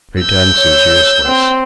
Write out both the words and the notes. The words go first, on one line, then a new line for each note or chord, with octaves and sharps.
Pretence is useless.
E6 G6
C#5
C4